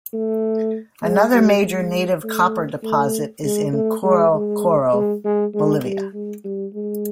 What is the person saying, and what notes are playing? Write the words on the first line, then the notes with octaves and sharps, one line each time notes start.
Another major native copper deposit is in Coro Coro, Bolivia.
A3
G#3
G3
G#3
A3
A3
G#3
A3
G#3
G#3
G#3
G#3
G#3
G3
G#3
G3
G#3